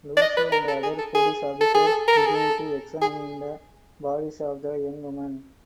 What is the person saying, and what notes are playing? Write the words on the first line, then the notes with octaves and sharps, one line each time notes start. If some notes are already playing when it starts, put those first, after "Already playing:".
Lucy and other police officers begin to examine the bodies of the young women.
D5
D#5
B4
A#4
A4
G#4
A4
G#4
A4
G#4
A4
A#4
A4
G#4
A4
G#4